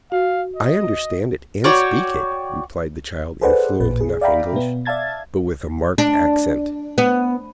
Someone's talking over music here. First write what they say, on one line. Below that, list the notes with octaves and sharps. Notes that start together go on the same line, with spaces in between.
"I understand it and speak it," replied the child in fluent enough English, but with a marked accent.
F#4 F5
D#5
F#4 C#5 D5 G5
G#4 A4 B4 C5 D5 F#5
A1 A#2 B4
G#4
D5 E5 F5 G5 A#5 B5
B2 B3
D5 E5 F5 A5 G#6 A6
D4
B3